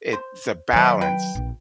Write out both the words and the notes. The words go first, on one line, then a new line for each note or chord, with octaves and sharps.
It's a balance,
C5
D#3 F#3 A3 C5
B4 G5
A#1